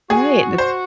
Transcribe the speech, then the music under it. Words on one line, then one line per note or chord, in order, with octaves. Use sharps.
Right. That's
F#4 G#4
C5